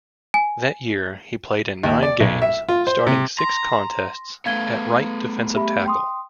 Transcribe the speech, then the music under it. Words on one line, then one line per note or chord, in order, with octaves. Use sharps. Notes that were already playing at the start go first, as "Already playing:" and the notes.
That year, he played in nine games, starting six contests at right defensive tackle.
G#5
D#2
D5
B1
E5
F4
C5
C3
A#5 C6 A#6
A3 B3 F5 G#6 G7
G4 E5 B5
G5 C6 D#6